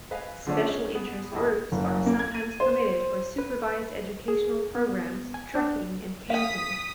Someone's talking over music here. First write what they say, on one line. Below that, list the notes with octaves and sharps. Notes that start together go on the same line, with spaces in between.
Special interest groups are sometimes permitted for supervised educational programs, trekking and camping.
B4 D#5 F5 G#5
D3 F3 A3 C#4 D4
G#3 C#4
B3 G#4
A#1 F2 B2 E4 G4
F#1
A#3
G#6
D#7
C5
B4
G#4
B3
G#5
D4
F5 G#5 D#6 B6